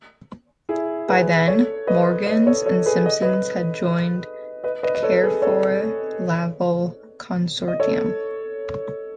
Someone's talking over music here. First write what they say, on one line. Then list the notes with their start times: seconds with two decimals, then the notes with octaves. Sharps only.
By then, Morgan's and Simpson's had joined the Carrefour Laval consortium.
0.69 E4 G#4
1.08 G#4 B4
1.48 A4 C#5
1.87 B4 D#5
2.26 B4 D#5
2.47 A4 C#5
2.66 A4 C#5
2.86 G#4 B4
3.06 D#5
3.22 B4 D#5
4.64 B4 D#5
4.83 B4 D#5
4.95 D#5
5.03 A4 C#5
5.23 G#4 B4
5.42 A4 C#5
7.68 D#5
7.80 A4 C#5